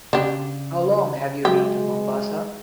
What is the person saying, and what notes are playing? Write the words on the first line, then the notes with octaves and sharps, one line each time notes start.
How long have you been to Mombasa?
C#3 D4 G4
F#3 G#3 F#4 G4